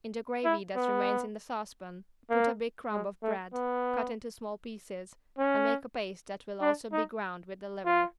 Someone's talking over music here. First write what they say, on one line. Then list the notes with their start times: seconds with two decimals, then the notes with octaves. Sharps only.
In the gravy that remains in the saucepan put a big crumb of bread, cut into small pieces and make a paste that will also be ground with the liver.
0.45 E4
0.76 B3
2.30 A#3
2.91 G#3
3.23 A3
3.54 B3
5.38 C#4
6.62 D4
6.93 D#4
7.85 F4